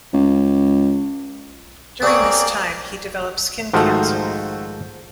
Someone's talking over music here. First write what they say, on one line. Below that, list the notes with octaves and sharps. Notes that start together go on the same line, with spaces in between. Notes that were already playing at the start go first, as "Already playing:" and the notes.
During this time, he developed skin cancer.
C#2
A#3 C4 G4 G#4 C#5 D5
G#2 D#3 F3 A3 F#4 C5